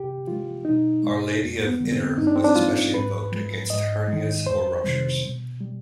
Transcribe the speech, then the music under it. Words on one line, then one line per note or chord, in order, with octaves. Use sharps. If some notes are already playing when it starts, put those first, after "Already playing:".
Our Lady of Ittre was especially invoked against hernias or ruptures.
Already playing: C3 G4
F3 G#3 F4
B2 D#4
G#3
F2
B3
D3 G3
C4
G2 D#4
D4
C4
D4
F3 G#3 F4
G#2 B4
F3 G#3
G#2 D#5
D#3 G#3
F2 C5
C3 D#3 G3
B2
G3